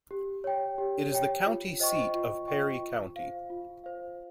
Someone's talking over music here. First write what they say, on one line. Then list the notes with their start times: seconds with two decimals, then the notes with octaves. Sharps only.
It is the county seat of Perry County.
0.11 G4
0.44 C#5 G5
0.78 G4
1.12 C#5 G5
1.46 F4
1.80 C5 D#5 G5 C#6
2.14 F4
2.48 C5 D#5 G5 C#6
2.82 F4
3.16 C5 F5
3.50 F4
3.84 C5 F5